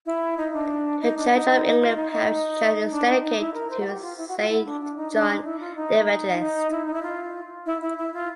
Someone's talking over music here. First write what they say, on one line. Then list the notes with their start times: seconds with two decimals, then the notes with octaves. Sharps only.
The Church of England parish church is dedicated to Saint John the Evangelist.
0.06 E4
0.37 D#4
0.53 D4
1.00 D#4
1.17 D4
1.32 D#4
1.64 D#4
1.79 F4
1.96 D#4
2.11 D#4
2.90 D4
3.06 D#4
3.22 D#4
3.38 E4
3.54 A#4
3.70 C5
3.80 F#4
3.86 G4
4.01 F4
4.17 E4
4.28 F#4
4.39 F4
4.49 E4
4.65 D4
4.80 D4
4.96 D#4
5.12 D4
5.28 D#4
5.44 E4
5.60 F4
5.76 D#4
6.39 D#4
6.71 E4
6.85 D#4
6.93 E4
7.02 F4
7.66 E4
7.81 E4
7.97 E4
8.13 F4